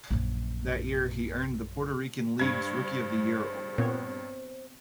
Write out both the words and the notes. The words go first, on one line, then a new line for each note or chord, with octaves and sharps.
That year he earned the Puerto Rican League's "Rookie of the Year Award".
A#1 F#2
G2 C5 G#6
C5
A#2 B3 C4 C#5